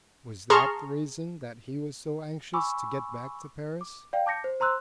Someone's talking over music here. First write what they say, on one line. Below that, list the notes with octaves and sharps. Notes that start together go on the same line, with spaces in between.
Was that the reason that he was so anxious to get back to Paris?
G#4 A5 A#5 C6 C#6 F6
G#5 B5 C#6 D6 E6
D6
D5 F5 G5
A5 D6 G6 A#6 C#7
C5
C5 A#5 C6 E6 F#6